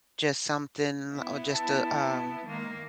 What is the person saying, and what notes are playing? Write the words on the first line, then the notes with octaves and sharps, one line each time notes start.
just something or just a um,
B3 E4
A5
D#3 G#3 A#3